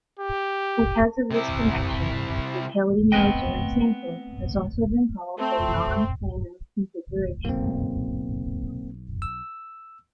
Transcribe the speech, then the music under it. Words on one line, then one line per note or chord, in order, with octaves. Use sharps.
Because of this connection, the Kelly-Moser example has also been called the non-Fano configuration.
G4
C3 E4
A3 B3 C4 B4 D#5 G5
A3 C4 A5
B1 A#3 C4
E6